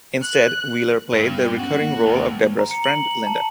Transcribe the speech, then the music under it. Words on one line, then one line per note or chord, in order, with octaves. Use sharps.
Instead, Wheeler played the recurring role of Debra's friend, Linda.
F#6
G2
B3
C#4 F#4
A#3
D#2
A#5
C#7
F#7
F#7
A5